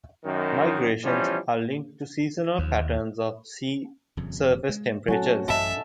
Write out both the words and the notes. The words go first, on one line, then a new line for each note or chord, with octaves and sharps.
Migrations are linked to seasonal patterns of sea surface temperatures.
F#2 D#3
E3 F3 G3 B3 C#4
D#2
D#1 F2 C#3
G#3
F#3 A3 C4 C#4 F#4 A4
A1 F#2 D#5 E5 A5 B5